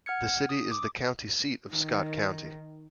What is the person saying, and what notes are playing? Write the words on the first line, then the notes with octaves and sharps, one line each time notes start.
The city is the county seat of Scott County.
F#5 F6 G#6 C#7
D#6
D6
D#3